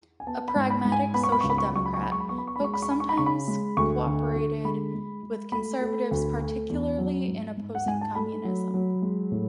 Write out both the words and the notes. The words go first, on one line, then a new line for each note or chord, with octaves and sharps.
A pragmatic social democrat, Hook sometimes cooperated with conservatives, particularly in opposing communism.
G#5
B3 A5
B5
G#2
B5
G#2
G#5
B3 B5
C#6
B5
C#2 C#6
B5
C#6
B5
F#3 C#6
B5
C#6
G#3 B5
C#6
B5
B3 C#6
B5
C#6
B5
G#3 C#6
B5
C#6
G#3 B5
C#6
B5
C#3 C#6
B5
G#3
D2 C#6
D3
D3
G#3 B5
G#3
G#3
A3 B5
A3
D2
A3
E2
F#3
G#2
G#2
F#5
G#2 G#5
A5
A3 B5
F#3
F#3
G#3
A2